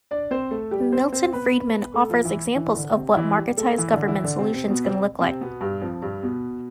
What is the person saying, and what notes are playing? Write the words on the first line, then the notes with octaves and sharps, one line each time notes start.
Milton Friedman offers examples of what marketized government solutions can look like.
D4 D5
C4 C5
A3 A4
G3 G4
C4 C5
C4 C5
B3 B4
A3 A4
F3 F4
E3 E4
E3 E4
D3 D4
C3 C4
E3 E4
G3 G4
A3 A4
E3 E4
D3 D4
E3 E4
D3 D4
C3 C4
C3 C4
B2 B3
C3 C4
C3 C4
B2 B3
G2 G3
F2 F3
G2 G3
B2 B3